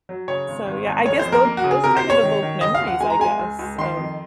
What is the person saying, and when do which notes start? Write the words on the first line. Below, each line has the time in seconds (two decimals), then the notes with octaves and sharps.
So, yeah, I guess those those kind of evoke memories I guess of
0.09 F#3
0.28 C#3 C#5
0.48 G#1
0.67 G#1
0.86 G#1
1.06 F1 C#5
1.19 C5
1.25 F2
1.32 A#4
1.45 A#3
1.57 F#4
1.64 C#3
1.71 G#4
1.84 C3 A#4
1.97 C5
2.03 C3
2.10 C#5
2.23 D#3
2.43 D#3
2.61 C#3 D#5
2.75 F5
2.81 D#2
2.88 F#5
3.00 G#3 G#5
3.10 A#5
3.20 G#3 G#5
3.39 C#2
3.59 C#2
3.78 D#3 C6
3.97 F2